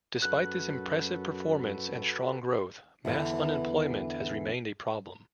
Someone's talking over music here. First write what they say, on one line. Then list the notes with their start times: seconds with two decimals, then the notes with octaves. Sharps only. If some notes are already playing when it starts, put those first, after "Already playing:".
Despite this impressive performance and strong growth mass unemployment has remained a problem.
0.22 F#2 F#4 A4 B4 F#6
3.05 E2 D3 E3